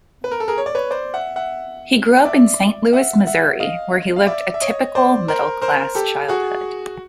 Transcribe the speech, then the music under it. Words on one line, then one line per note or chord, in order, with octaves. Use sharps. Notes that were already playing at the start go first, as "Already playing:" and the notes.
He grew up in Saint Louis, Missouri, where he lived a "typical middle-class childhood".
B4
A#4
A4
G#4 A#4
C#5
D5
B4 C#5
C5 D5
E5 F#5
E5 F#5
D5 E5
E5 F#5
E5 F#5
D#5 F5
F5
D5 E5
E5
C#5 D#5
C5 D5
A#4 C5
A#4 C5
G4 A4
F#4 G#4